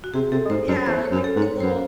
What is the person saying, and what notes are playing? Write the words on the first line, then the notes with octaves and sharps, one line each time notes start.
Yeah, and make those little
F#4
C3 G#4
C3 A4
G#2 C5
F#2 C#5
E2 C5
C#5
F#2
A4
G#2
C#5
F#2 C5